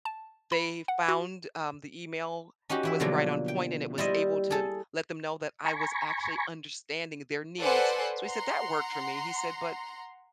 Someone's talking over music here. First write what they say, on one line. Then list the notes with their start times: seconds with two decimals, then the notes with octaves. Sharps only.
they found, um, the email was right on point and it was able to let them know that I was actually understanding their needs". So he said, "That worked for me." He said, "But,
0.05 A5
0.52 B5
0.88 F#5
1.08 F#4
2.69 C#4 D#4 F#4 G4
2.83 E3 E4 E5
3.00 B2 D3 F3 F#3 A#3
3.48 G5
3.98 G3 E4 C5 D#5
4.51 G#4 A4
5.65 G#5 A#5 B5 C#6
7.60 A4 B4 C5 D5 F#5 G#5
8.23 F#5 A#5 C6